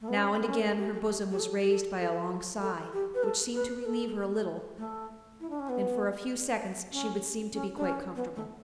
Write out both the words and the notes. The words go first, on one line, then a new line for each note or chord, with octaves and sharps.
Now and again her bosom was raised by a long sigh, which seemed to relieve her a little, and for a few seconds she would seem to be quite comfortable.
A3
B3
C#4
B3
C#4
A4
G4
A4
G4
G4
A4
G4
A4
A4
A4
G4
B4
A4
B4
B4
A4
A3
E4
D4
C#4
B3
C#4
C#4
D4
C#4
B3
A3